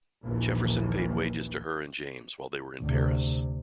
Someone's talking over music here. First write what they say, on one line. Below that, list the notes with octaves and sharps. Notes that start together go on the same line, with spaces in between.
Jefferson paid wages to her and James while they were in Paris.
A#1 D#2 E3
D2 C3